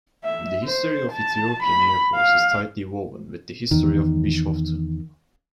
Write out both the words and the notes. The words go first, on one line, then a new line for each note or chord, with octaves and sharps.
The history of the Ethiopian airforce is tightly woven with the history of Bishoftu.
E5
C5
A5
B5
F5
E2 D#3